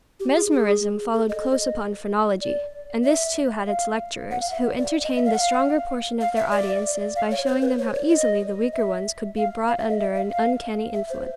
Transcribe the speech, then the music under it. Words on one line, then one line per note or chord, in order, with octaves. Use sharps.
Mesmerism followed close upon phrenology; and this too had its lecturers, who entertained the stronger portion of their audiences by showing them how easily the weaker ones could be brought under an uncanny influence.
G4
G#4
G#4
A4
D#5
D#5
D5
E5
F5
F#5
F5
E5
D5
D#5
E5
F5
F#5
F5
F5
E5
D5
F5
C#5
C5
B4
C#5
D5
D#5
E5
F5
F5
E5
D#5
E5
F5
F5
E5
C5